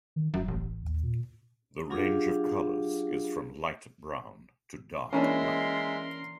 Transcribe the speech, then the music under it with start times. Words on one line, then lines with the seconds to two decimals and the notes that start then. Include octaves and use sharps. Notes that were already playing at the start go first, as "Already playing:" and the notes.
The range of colors is from light brown to dark black.
0.16 D#3
0.34 E1 F#2
0.48 A1
0.83 D#2
1.03 A#2
1.90 F#3 D4 F4 G4 G#4 F5
5.13 E3 G#3 A#3 C#4 D4 A#4 E5 C6